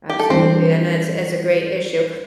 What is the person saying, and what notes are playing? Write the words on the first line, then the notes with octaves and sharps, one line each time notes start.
Absolutely, and that's that's a great issue.
G4
A4
E3 G3 C4 D4 C5